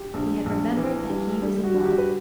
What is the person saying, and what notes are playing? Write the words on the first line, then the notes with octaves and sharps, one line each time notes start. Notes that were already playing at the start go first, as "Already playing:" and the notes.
He had remembered that he was in love.
Already playing: G4
A#1
A#1
E3
G3
G3
F#4
G3
F#4
G4
B4